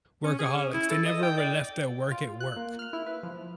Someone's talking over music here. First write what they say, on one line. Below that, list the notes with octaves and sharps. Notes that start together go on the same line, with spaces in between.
workaholics. They never ever left their work at work.
C#4
G#4
C#4
E4
A4
D#5
G5
D5
F4
F#6
A#3
F6
E4
B4
F3